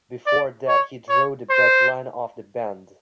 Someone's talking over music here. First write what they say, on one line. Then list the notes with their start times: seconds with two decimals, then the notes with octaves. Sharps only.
Before that he drove the backline of the band.
0.27 D5
0.68 C#5
1.09 C#5
1.50 C5